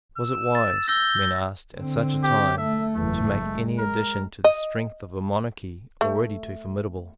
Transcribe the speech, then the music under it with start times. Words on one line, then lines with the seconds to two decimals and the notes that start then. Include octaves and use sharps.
Was it wise, men asked, at such a time, to make any addition to the strength of a monarchy already too formidable?
0.18 E6
0.55 A6
0.88 E6 G6 A#6
1.77 D3 C4
2.23 G4
2.58 A3 E5
2.95 F#1 E2 A3
3.39 G#3
3.78 A#4
4.44 D#5
6.01 A3